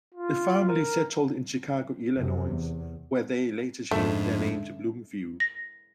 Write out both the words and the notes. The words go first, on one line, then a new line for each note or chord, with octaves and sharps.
The family settled in Chicago, Illinois where they later changed their name to Bloomfield.
F4
A#4
F#2 C3
E2
F2 G#2 D3 G#3 A3 C#4 D4 E5
A#6